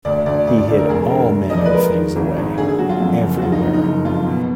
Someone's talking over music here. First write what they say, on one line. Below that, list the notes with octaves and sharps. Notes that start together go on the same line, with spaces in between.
He hid all manner of things away, everywhere.
D2 D5
D2 D5
D2 D5
D5
D3 D5
A#4
F1 G#4
D3 A#4
F1
F3 D#5
D5
B4
G#3 A#4
D#3
G#1
G#2
D3 G#4
G#4
F#3 F#4
F4
F2
F#1
F#4
F2 F4
D#4
F#1 D#4
D#4
F#1
F2 F4
B2